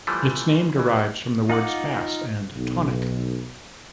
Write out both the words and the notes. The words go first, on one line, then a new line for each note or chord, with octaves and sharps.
Its name derives from the words “fast” and “tonic”.
E3 F3 G3 A3
A1 E3
D#4 F4 F#5 D6
B1